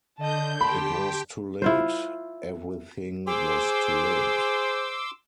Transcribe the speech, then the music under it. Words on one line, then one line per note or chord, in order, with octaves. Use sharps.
It was too late — everything was too late.
D3 D#5 A5 G6
G4 G5 A5 B5 C6
E4 F4 C5
G#4 C5 C6 D6 E6